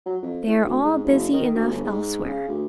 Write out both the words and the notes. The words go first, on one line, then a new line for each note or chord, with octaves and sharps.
They are all busy enough elsewhere.
F#3
F2
A2
D2
G#2
F#1
D#3
D2
G1
G#2
C#3
D2